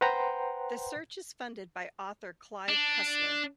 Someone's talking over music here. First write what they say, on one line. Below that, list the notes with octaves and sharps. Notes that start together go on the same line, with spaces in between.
The search is funded by author Clive Cussler.
B4 C5 F#5 G5 A#5 C6
D4